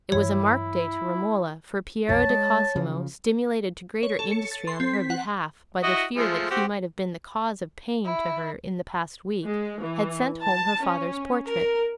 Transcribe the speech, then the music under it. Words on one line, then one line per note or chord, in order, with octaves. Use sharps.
It was a marked day to Romola, for Piero di Cosimo, stimulated to greater industry on her behalf by the fear that he might have been the cause of pain to her in the past week, had sent home her father's portrait.
G2 E3 F#3 E4 C#5
B1 F2 B2 C#5 A5
G#3
C#3 F3
C#5
A4
C#7
A6
C6
C4
B6
F#5
E4 F#4 D#5
F3 G#3 A3
C4 F#4 G4
E4
G#3
E3
A5
C#4
A#4